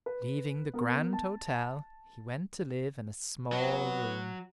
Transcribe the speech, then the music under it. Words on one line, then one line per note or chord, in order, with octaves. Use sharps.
Leaving the grand hotel he went to live in a small room.
B4
B3 A#4
A5
F#3 B3